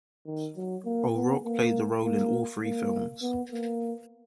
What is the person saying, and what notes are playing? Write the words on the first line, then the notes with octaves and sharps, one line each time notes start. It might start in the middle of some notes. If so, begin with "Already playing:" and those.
O'Rourke played the role in all three films.
D#3
F#3
A#3
B3
A#3
A#3
A#3
B3
A#3